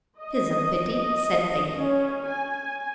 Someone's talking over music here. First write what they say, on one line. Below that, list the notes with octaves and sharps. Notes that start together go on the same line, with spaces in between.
"It is a pity," said Peggy.
D#5
D#5
C#4
G#5